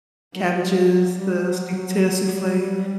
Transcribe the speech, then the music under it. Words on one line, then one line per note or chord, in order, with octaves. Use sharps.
cabbages, the sweet potato soufflé.
F#3
G3
F#3
G3
F#3
G3
G3